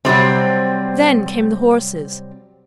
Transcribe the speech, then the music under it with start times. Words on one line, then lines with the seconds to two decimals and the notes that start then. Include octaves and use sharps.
Then came the horses.
0.05 C3 F#3 G3 C4